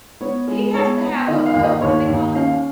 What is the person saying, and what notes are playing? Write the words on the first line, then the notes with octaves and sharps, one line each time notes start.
He has to have a a what do they call it?
B3 C#5
G#3
B3 C#5
B3
D#3 D#5
F5
D#2
D#5
D#2 C#5
D#2
C#4 F5